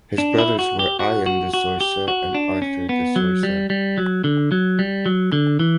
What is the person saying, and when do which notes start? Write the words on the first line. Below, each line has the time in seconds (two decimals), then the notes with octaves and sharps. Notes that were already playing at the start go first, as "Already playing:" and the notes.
His brothers were Ian de Zoysa and Arthur de Zoysa.
0.18 D4
0.38 E4
0.59 F#4
0.79 G4
0.99 F#4
1.26 F#4
1.54 F#4
1.81 G4
2.08 F#4
2.34 D4
2.62 C#4
2.89 B3
3.16 F#3
3.43 G3
3.70 G3
3.98 F#3
4.24 D3
4.52 F#3
4.79 G3
5.06 F#3
5.32 D3
5.59 E3